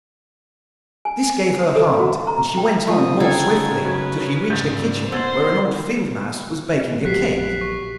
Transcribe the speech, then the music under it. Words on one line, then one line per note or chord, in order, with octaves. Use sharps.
This gave her heart, and she went on more swiftly, till she reached a kitchen where an old field mouse was baking a cake.
G#5
C5
A4
F#4
A#5
G5
F3 D#6
C#3 D#4 G#4 A4 F#5 G5 G#6
F#3 B4 G#6
G#2 C#3 G6 A6
B3 C5 C6 E6 G#6 A6
A#1 F#3 G4 F#6 B6 C7
C#6